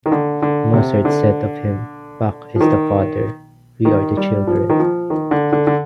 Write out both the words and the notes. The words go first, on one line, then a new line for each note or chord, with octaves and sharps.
Mozart said of him, Bach is the father, we are the children.
D#3
D3
D3
C3
D3
F3
D#3
D#3
G3
F3
D#3
F3
D#3
D3
D3
D3